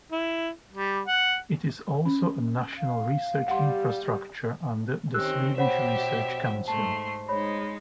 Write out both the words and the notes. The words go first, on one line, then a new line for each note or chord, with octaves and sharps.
It is also a national research infrastructure under the Swedish Research Council.
E4
G3
F#5
C#4
F5
G3 F#5 C6
D#3 C4 C#4 G4 E6 F#6
B2 G4 C5 C#5 E5 F#5 B5
G#2 A3 A5 C6
G#3 D#4 C#5 B5